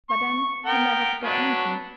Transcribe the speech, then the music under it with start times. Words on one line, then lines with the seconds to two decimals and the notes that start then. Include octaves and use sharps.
But then you never forget anything.
0.10 C#6
0.66 B3 A#4 G5
1.24 F#3 D4 B4